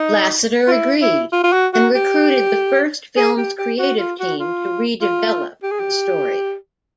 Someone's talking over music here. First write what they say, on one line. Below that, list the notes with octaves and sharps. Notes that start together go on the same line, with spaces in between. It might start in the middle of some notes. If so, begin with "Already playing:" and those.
Lasseter agreed, and recruited the first film's creative team to redevelop the story.
Already playing: D#4
F4
E4
E4
F4
F4
F#4
F#4
G4
G#4
G4
G4
F#4
F4
F#4
F4
F4
G4
G#4
G4